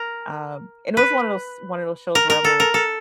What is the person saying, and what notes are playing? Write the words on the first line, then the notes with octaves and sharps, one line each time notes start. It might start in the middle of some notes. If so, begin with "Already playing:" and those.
Um, and it was one of those one of those shows where I'm like,
Already playing: A#4
B4
A#4
A#4
A4
A#4
A4